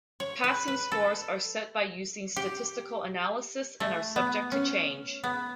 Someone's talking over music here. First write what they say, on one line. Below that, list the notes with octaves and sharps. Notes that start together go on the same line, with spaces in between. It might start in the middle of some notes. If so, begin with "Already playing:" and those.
Passing scores are set by using statistical analysis and are subject to change.
C#5
B4
B4
A4
G4
A3
B3
C#4
B3